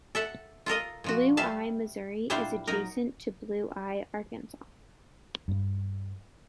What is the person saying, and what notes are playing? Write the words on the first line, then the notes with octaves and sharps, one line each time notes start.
Blue Eye, Missouri is adjacent to Blue Eye, Arkansas.
A4 E5 F#5
F4 A4 A#4 D#5
A#2 F3 F#4
G3 E5 F5 A5
A#2 G3 D4 E4 C5 F5
F#3 D#4 A#4
G2